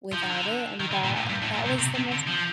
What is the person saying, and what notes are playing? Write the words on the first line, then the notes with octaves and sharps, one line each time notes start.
without it, and that that was the most
F3
D#3
D3
D#3
D3
A#2
A2
G2
A2
A#2
C3
C3
C3
D3
F3